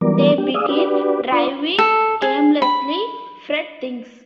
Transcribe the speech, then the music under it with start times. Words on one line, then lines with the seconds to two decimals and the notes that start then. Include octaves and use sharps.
They begin driving, aimlessly Fred thinks.
0.01 E3 F#3 G3 B3 A#4 D5
0.38 D4 G4
0.54 G#4 D5 F5 D#6 E6
0.69 D4 F#4 G4 B4 D5
1.32 D4 F4 D5
1.78 A4
2.22 G#4
2.62 B5